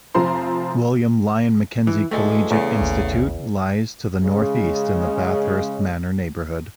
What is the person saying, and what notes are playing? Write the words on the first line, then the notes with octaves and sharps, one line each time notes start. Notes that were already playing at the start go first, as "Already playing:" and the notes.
William Lyon Mackenzie Collegiate Institute lies to the northeast in the Bathurst Manor neighbourhood.
F1 F3 C4 A#5 C6
E3
D2 E3 G#3 A3
E2 C#3
A1 D#2
C#3 G#3